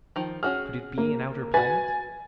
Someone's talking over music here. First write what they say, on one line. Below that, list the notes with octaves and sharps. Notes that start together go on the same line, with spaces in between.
Could it be an outer planet?
D#3 F3
C#4 F#4 G#4 F6
A#3
F#4 B4 G#5 A6